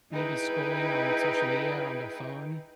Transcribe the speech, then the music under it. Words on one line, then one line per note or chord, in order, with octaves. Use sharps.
maybe scrolling on social media or on their phone?
D#4 E4 G#4 B4 G5